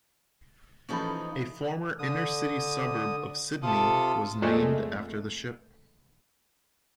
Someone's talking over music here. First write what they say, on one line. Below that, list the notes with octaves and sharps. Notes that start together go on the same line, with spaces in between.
A former inner-city suburb of Sydney was named after the ship.
E3 F3 C#4 D#4 A4 B5
D3 D#6
C3 F4 A4 D#6
F2 A#2 G#3 A3